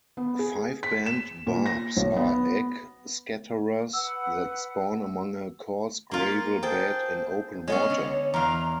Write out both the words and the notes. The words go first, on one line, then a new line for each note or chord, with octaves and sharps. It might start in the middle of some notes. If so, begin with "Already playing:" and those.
Fiveband barbs are egg-scatterers that spawn among a course gravel bed in open water.
B3
G#4
B6
E7
A#2
A#6
B1
B3
B4 F#5 E6
A#3 F4
G#4 A4 C5 G5
G#3 B3 C#4 C#5
D3
E2 F5 A#5